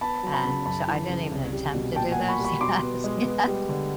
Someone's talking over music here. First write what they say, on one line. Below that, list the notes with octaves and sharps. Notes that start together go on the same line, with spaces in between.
And so I didn't even attempt to do this. Yes. Yeah
B3 A5 B5
F#3
A5 B5
C#3
F#2 A5 B5
E3
C#3
C2
G3
B2
A#2 G5 A5
F#5 G#5
A#3
B5 C#6
G3
B5 C#6
B2 C6 D6
B3
G#3
B3
G3
D3